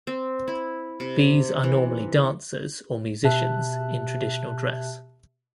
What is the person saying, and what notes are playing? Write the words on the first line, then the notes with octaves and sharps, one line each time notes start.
These are normally dancers or musicians in traditional dress.
C4
E4
C3
E3
B2 G4 E5 A5 F#6